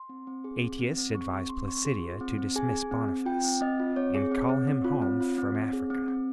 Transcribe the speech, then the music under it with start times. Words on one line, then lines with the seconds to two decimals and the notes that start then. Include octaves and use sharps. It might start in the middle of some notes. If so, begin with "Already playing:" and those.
Aetius advised Placidia to dismiss Boniface and call him home from Africa.
Already playing: C6
0.09 C4
0.27 C4
0.44 G#4
0.61 C4
0.79 C4
0.98 C4
1.14 G#4 C#6
1.33 C4
1.49 C4 C6
1.68 C4 C#6
1.85 G#4 C6
2.03 F4
2.21 C4
2.38 C4
2.56 G#4 G#5
2.73 G#4
2.91 C4
3.08 C4
3.26 F4 G5
3.44 C4
3.61 C4 D#5
3.80 F4
3.96 C4 C#5
4.14 G#4
4.32 C4
4.49 C4
4.67 C4
4.84 F4
5.02 C4
5.20 F4
5.38 C4
5.55 C4
5.73 G#4
5.90 C4
6.08 C4